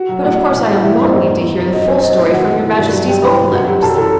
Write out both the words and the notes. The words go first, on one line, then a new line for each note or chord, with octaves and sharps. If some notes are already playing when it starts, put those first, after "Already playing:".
But of course I am longing to hear the full story from your Majesty's own lips.
Already playing: F#4
F#3
A2 F#4 F#5
A2
E3
A2
E3 E4 E5
G2 C4 C5
E2 D#4 D#5
E2
E3
F#2
F#3 D#4 D#5
F#3 C4 C5
F#3 D#4 D#5
A2 D#4 D#5
D#3 F#4 F#5
E2
E3
G2
F#3
G2 G4 G5
E3 B4 B5
E3
F#2 F#4 F#5
F#3 G4 G5
F#2 A4 A5
E3 A4 A5